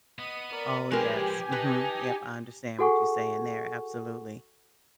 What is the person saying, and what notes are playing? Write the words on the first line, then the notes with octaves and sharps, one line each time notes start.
Oh, yes, mhm, yep, I understand what you're saying there, absolutely.
B3 D#5 D#7
A#4 D5
F3 G#3 G4 A#4 B4 D5 G#5
D#4 B4 A5
F#4 G#4 A4 F#5 G#5 C#6